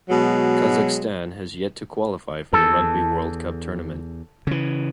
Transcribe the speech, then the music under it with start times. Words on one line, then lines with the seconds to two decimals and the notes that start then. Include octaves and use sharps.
Kazakhstan has yet to qualify for the Rugby World Cup tournament.
0.10 B2 F#3 G#3
2.53 E2 A4
4.47 C#3 E3